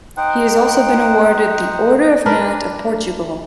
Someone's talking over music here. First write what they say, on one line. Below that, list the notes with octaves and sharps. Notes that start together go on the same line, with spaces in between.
He has also been awarded the Order of Merit of Portugal.
D#4 C5 F#5 G5
D4 A#4 B4